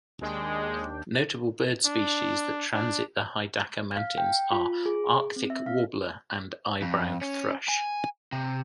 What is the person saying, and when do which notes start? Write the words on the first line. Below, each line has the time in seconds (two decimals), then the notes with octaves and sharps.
Notable bird species that transit the Hidaka mountains are Arctic warbler and eyebrowed thrush.
0.21 D#2 G#3 D4 G5
1.86 D4
2.74 D4
3.96 F5
4.18 G5
4.51 F4
4.86 G#4
5.36 C4
5.50 E5
5.66 F5
6.82 F2
7.21 C#4
7.68 G#5
8.32 C3